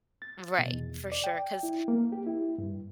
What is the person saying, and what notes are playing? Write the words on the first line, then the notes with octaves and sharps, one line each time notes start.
Right. For sure, 'cause
A6
B2
E2
D5
G5
E4
A#3
G4
E4
G2